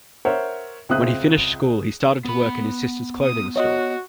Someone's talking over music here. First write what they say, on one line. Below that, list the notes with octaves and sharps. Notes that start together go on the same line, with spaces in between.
When he finished school he started to work in his sisters' clothing store.
A#4 C5 C#5 E5 F#5
C#2 C4 F4 E5 D#6 F#6
B3 B5
D#6
F#4 C#5 D#5